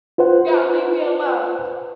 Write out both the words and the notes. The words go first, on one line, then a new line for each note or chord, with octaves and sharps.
Yeah, leave me alone.
F4 B4 C5 F#5